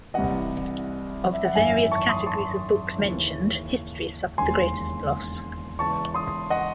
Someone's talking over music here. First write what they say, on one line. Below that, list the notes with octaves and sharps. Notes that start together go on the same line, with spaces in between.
Of the various categories of books mentioned, history suffered the greatest loss.
C2 C3 E3 D#5 F#5
E5
F#5
G#1 F#2 E3 E5 G#5
A5 C#6
C6 D#6
A5 C#6
D#2 C#3 E3
E1 D#2 C#3 G#5 C6
E1 E2 C#3 E3 A5 C#6
C6 D#6
D#5 F#5